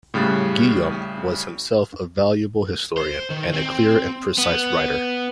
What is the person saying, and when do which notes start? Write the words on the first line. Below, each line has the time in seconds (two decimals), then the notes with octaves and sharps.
Guillaume was himself a valuable historian, and a clear and precise writer.
0.14 A2 C#3 G3 F#6 A6
2.97 C5
3.30 D#3
3.54 C4
4.38 B3